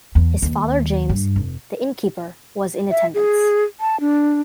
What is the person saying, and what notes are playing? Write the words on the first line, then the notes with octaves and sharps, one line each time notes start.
His father James, the Innkeeper, was in attendance.
E2
D#2
G2
F1
E5
G#4
A5
D4